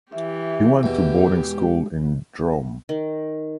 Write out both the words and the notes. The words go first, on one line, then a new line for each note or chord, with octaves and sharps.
He went to boarding school in Drôme.
E3 G4 E5
E2 B2 G4
G#3
D#3